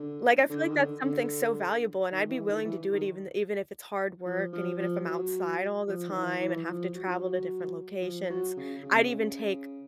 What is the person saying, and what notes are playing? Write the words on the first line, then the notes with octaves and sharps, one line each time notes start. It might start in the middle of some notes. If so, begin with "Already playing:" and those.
Like, I feel like that's something so valuable, and I'd be willing to do it even even if it's hard work and even if I'm outside all the time and have to travel to different locations. I'd even take,
Already playing: D3
D3
D#3
D3
D3
D#3
E3
D#3
E3
D#3
F3
F3
F3
F#3
F3
D#3
E3
E3
F3
F#3
F3
F#3
F3
F#3
C#3
C#3
C3
C#3